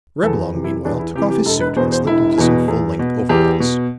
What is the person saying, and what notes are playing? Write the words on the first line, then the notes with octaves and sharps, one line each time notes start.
Reblong meanwhile took off his suit and slipped into some full-length overalls.
E2 A4
C3 E3
E4
E2 D4
E4
C3 E3 G4
G4
E1 A4
B4
E2 B2 C5
C5
E1 E4
E2 B2
E2
B2
E2 G4
B2